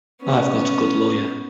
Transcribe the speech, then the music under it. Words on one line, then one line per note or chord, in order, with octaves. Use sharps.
I've got a good lawyer.
B3 C#4